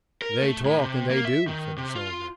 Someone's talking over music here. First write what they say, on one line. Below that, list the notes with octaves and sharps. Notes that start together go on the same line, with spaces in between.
"They talk--and they do," said the soldier.
A#4
A3
A2
C3
A#3
E5
D#3
C3
F4